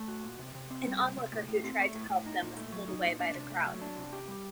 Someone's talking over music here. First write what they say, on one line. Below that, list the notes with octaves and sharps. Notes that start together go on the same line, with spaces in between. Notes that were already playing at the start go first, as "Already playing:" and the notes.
An onlooker who tried to help them was pulled away by the crowd.
Already playing: A3
F#4
A#2
C3
C3
C4
G3
C3
C3
A2
A2
C4
A3
A2
A2
D#4
A#2
A3
F#3
D#4
A#2
D4
C3
A3
F#3
D4
C3
G4
G3